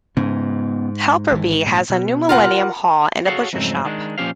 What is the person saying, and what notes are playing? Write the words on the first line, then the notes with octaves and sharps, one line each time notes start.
Helperby has a new Millennium hall and a butcher's shop.
G#2 C#3 B3 C#4
G#1 E3
A#2
B2
F4 A#4 F#5
F#4 G#4 A4 C#5 F5 F#5
F2 G#2 C#3 F#3 A3 C4
D#3 G#3 D4
A#2 F3 C#4 G4 C5 F5